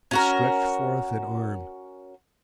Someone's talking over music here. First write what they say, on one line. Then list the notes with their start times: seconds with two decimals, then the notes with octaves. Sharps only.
It stretched forth an arm.
0.11 C#4 F#4 A#4